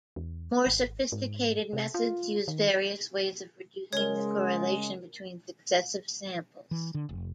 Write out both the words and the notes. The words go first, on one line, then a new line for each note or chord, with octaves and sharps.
More sophisticated methods use various ways of reducing the correlation between successive samples.
E2
G#1
G#2
C3
F4
D#3
C#3 G#3 A#4 C#5
E3
D3
F1